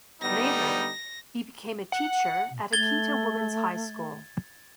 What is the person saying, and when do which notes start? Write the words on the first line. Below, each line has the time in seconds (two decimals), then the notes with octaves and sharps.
Later, he became a teacher at Akita Women's High School.
0.22 D3 G3 B3 D#4 A#6
1.92 F#5
2.73 A3 G#6 A6 G7